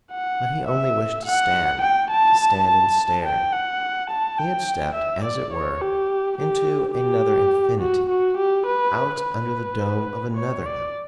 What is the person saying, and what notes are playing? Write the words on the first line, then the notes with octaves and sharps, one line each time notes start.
But he only wished to stand; to stand and stare. He had stepped as it were into another infinity, out under the dome of another heaven.
F#5
E5
F#5
G5
A5
A5
G5
F#5
A5
G5
E5
D5
C#5
G4
G4
G4
F#4
F#4
G4
B4
B4
C#5
D5